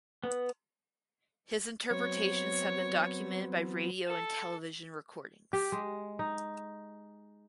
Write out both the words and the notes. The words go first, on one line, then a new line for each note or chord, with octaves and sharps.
His interpretations have been documented by radio and television recordings.
B3
F#3 B3 C4 C#5
A4
G4
G#3
D#4